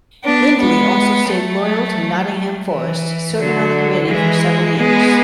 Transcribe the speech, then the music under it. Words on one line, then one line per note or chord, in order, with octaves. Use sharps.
Lindley also stayed loyal to Nottingham Forest, serving on the committee for several years.
B3 D4
G#3 B3
F#3 A3
E3
D3 F#3
E3 G#3
G#3 B3